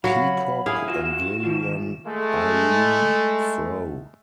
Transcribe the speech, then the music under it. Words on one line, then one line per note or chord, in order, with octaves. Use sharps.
Peacock and Lilian Irene Frow.
F#3 F5 B5
E4 G#4 F5
F4 F#4 E7
D#3 F4
G#3 A3